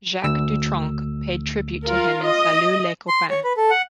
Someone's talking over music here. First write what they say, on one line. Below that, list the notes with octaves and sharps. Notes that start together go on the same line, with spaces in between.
Jacques Dutronc paid tribute to him in "Salut les copains".
D2 E6
F4 A#4
D#5
C6
C#5
B4
A4
F#5